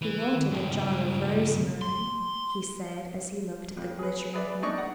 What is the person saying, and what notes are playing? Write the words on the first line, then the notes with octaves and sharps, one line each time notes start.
"She wanted a jar of rosemary," he said as he looked at the glittering heap.
E3
C#2 G2
C6
F2
G#4 B4
G#4 B4 D5 E5
D4 D#4 D5 C#6
F#5